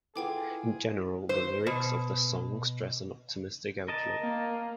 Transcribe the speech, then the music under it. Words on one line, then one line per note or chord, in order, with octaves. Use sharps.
In general the lyrics of the song stress an optimistic outlook.
E4 F4 G#4 A4 B4 F#5 G5 D6
C5
B2
A#4 D#5 A5
A#3